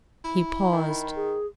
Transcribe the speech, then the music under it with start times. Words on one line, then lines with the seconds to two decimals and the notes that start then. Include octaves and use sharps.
He paused.
0.24 E4
0.73 D#3 B5
1.15 G#4